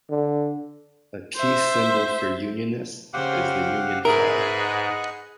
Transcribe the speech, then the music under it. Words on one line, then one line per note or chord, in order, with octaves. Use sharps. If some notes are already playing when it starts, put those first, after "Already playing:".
A key symbol for unionists is the Union Flag.
D3
C5 E5
C#3 G4 C5 F5 F#5
G#2 G#4 A#4 B4 E5
D#5 F#5